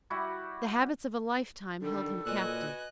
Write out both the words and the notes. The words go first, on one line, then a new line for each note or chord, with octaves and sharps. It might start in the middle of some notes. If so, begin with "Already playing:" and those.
The habits of a lifetime held him captive.
G3 E4 F#4 G4
D3 D#3 G3 A4
A#2 F#4 B4 D#5 G#5 F#6